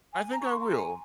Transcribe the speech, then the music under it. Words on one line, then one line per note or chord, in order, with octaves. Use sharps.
I think I will.
G#5
A#5
C#6
C6
A#5
G#5